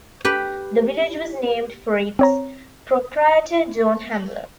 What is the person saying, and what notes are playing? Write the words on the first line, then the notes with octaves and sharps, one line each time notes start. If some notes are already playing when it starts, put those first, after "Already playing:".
The village was named for its proprietor, John Hamler.
G4 B4
C4 C#5 A#5